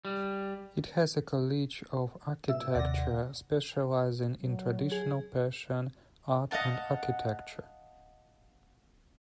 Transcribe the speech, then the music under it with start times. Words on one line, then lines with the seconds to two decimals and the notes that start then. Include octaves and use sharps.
It has a college of architecture specializing in traditional Persian art and architecture.
0.05 G3
2.49 G#2 B2 E5 E6
2.75 D#2 C3 D5 F#5 A#6
4.38 F#3
4.92 G#4
6.51 D#5 F5 F#5 A5